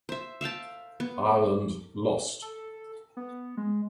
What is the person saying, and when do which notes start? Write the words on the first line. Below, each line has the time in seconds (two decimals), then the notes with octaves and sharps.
Ireland lost.
0.09 C5 E5
0.41 E5 F5 G5 A5
1.00 B3
2.42 A4
3.17 B3
3.57 G#3